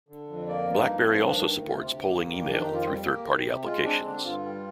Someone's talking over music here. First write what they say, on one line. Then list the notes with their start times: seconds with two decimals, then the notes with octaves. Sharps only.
BlackBerry also supports polling email, through third-party applications.
0.09 D3
0.27 F2
0.48 A#3 D5
0.68 G2
0.74 D#4
0.87 F3
1.00 C4
1.07 G2
1.27 D#3 D4
1.46 D2
1.66 C3 F4
1.85 D2 G4
2.06 A#3
2.25 F2
2.46 D#3 D4
2.62 F2 D#4
2.73 F4
2.84 G3 G4
3.04 A#3
3.24 D#3
3.44 C3
3.64 G#3 F4
3.84 C4 D4
4.03 D3 D4
4.18 G4
4.24 G2 F4
4.43 G3